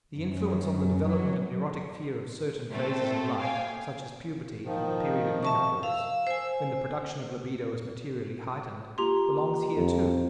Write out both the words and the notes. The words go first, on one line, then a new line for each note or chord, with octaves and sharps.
The influence on the development of neurotic fear of certain phases of life, such as puberty and the period of menopause, when the production of libido is materially heightened, belongs here too.
F#2
F#3
A#2 A3 C4 A4
F5 G5 G#5
D#3 F3
E5 A5 C#6
F5 E6
C5 G#5
A#3 F4 G4 A#5 C6
F2